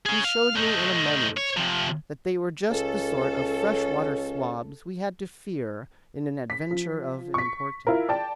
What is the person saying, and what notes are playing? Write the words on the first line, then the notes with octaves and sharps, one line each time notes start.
He showed me in a moment that they were just the sort of fresh-water swabs we had to fear in an adventure of importance.
C#4 G#4
F5
A3 D#4
C#5
C3 F3
C#2 C#4 A4
B6
F3
C#6 B6
E4 F4 A#4
D5 G5 A5